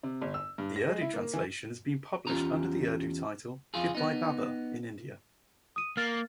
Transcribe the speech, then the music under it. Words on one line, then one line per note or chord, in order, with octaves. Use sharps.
The Urdu translation has been published under the Urdu title "Goodbye Baba" in India.
C3
G1
E6
G2
A#6
G#3
E4
A#3
E3
E2 C#4 F4 G4 A#5
F2 F4 G#4
B3 D#4
D#6 D#7
A#3 F6 A6